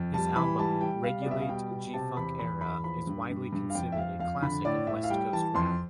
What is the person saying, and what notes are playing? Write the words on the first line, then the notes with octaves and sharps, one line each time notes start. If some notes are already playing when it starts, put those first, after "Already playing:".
His album "Regulate...G Funk Era" is widely considered a classic of West Coast rap.
Already playing: F2
G3 A5
E3 B5
G3 A5
G3 G5
G3 F5
B2 D5
E5
F5
G3 G5
B2
C3 A5
E2 B5
E2 B5
E2 B5
F3 B5
G2
G2
G2
F5
F2 G5
E5
F2 F5
F2 F5
D3 B5
A2 D5
A2 E5
F5
G3 G5
E3 A5
F2 C6